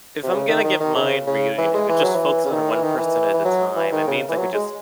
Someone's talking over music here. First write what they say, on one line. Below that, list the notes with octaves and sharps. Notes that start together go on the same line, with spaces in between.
if I'm gonna get mind reading, if it just focuses on one person at a time, it means I could just
C3
C#3
D#3
D#3
D#3
C#3
C#3
E3
G#3
E3
F#3
E3
C#3
D#3
E3
D#3
E3
E3
F#3
E3
D#3
C#3
E3
F#3
G#3